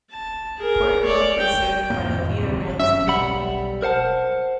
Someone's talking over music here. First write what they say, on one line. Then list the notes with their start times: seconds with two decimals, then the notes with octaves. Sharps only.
Port Hope is served by a Via Rail station.
0.11 A5
0.58 G#4 A#4
1.04 C#5 D5
1.40 G5
1.90 F2 A2 A#3
2.09 F2 A2 D#3
2.38 D2 C3
2.57 G#1
2.79 G2 F#3 C#4 E5
3.07 B1 G3 F#5 B5
3.82 A#4 C5 F#5 A5